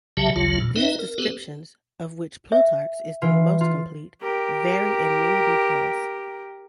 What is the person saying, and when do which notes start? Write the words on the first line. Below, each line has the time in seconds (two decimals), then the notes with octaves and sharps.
These descriptions, of which Plutarch's is the most complete, vary in many details.
0.17 B1 C#3 F#3 G4 E5 A5
0.36 A1 D2 C#3 F#3 F4
0.60 E2 A#2
0.76 C4 D#4 B4 D#5 E5
0.99 A#4
1.18 B3 C4 G4 A4 B4
2.52 E5
3.22 E3 F4
3.61 F4
4.22 G4 A#4